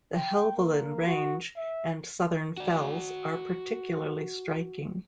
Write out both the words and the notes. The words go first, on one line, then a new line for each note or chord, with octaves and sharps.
The Helvellyn range and Southern Fells are particularly striking.
G5
A#3
F#4
E5
F#4 D5